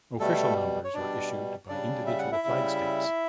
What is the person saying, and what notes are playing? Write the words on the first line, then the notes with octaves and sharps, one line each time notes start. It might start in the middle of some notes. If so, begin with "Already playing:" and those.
Official numbers are issued by individual flag states.
B2 G3 A3 A4
C#5
B2 G3 D4 D5
C#3 G3 D4 D5
E5
F#5
E4 E5
C#3 G3